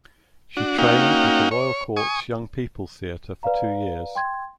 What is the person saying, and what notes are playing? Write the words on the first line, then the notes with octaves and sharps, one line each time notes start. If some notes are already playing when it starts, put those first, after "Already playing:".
She trained with the Royal Court's Young People's Theatre for two years.
D4 F#4
A#3 C#4 D#4 F#4 F5 G5
C#5
G#5 C#6 D#6
B4 D5 F5 A#5
G5 C6 G#6